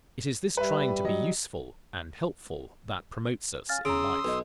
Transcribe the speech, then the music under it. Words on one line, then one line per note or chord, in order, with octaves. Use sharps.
It is this trying to be useful and helpful that promotes us in life.
G3 B4 E5
F#3 D#5
C#4 F5 F6 A6
C#3 A#5 C6 D#6 E6 D7
B1 B4 D#5